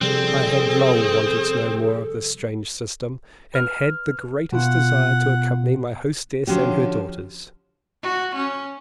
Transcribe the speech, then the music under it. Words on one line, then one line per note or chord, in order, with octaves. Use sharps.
I had long wanted to know more of this strange system, and had the greatest desire to accompany my hostess and her daughters.
C3 F3 G3 C4 G#4 A4
B4 F6
B2 B3 F4 F#5
D3 F3 C#4 F#4 G4
F#4
C#4